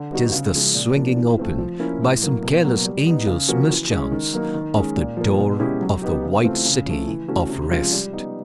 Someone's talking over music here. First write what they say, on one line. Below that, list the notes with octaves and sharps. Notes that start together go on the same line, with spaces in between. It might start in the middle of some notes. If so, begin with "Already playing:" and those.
It is the swinging open, by some careless angel's mischance, of the door of the White City of Rest!...
Already playing: D3
G3 B3 D#4 F#4
C#3
F3 G#3 C#4
A#2
F3 A#3 D4
E3
A3 C4 F4
F3
A#3 C#4 E4
A2
F#3 A#3
B2
F#3 A#3
G3
B3 D#4
C#3
F3 A#3 C#4 F#4
E3
G#3 C#4
D#3
F#3 A#3 D#4
D#3
G#3 C#4
A#2
F3 A#3
B2
G#3 C#4 E4 G4
F#3
B3 D#4 G4
C#3
E3 A3 C4 F4
C#3
F3 A3
E3
A3 C#4 F#4
C3
F3 G#3 C#4 F4
G3
B3 D#4